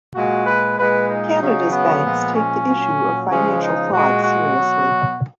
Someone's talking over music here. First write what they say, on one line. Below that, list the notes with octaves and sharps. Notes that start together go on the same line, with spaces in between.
Canada's banks take the issue of financial fraud seriously.
A#2 G#3 F#4
B4
A#2 G#3 B4
D#4
C#3 F#3
B3
A#2 F3 G#3
C#4
A#2 F#3
C#3 F3 G#3 C#4
D#4
A#2 G#3 F#4
F#4
B2 F#3